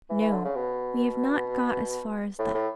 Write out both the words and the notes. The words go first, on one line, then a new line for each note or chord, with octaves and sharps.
No; we have not got as far as that.
E3
E3
D3
C#3
B2
A2
A2